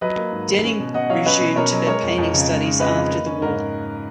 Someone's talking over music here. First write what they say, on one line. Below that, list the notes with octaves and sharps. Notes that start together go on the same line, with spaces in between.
Denning resumed her painting studies after the war.
F#3 B4 D#5
A#3
G#2
D#3
C#4
B2
B2 D#5 F#5
F#3 C#5 F5
C#4 B4 D#5
B2
B2 A#4 C#5
F#3
G#3 A#4 C#5
F2
F2
C#3
G#3
D#4
F2 B4 D#5
F3
A#3
C#4
G#2 A#4